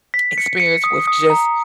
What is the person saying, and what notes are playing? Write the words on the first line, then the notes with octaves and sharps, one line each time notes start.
experience with just
B6
C#7
C#7
D#6
D#6
A#5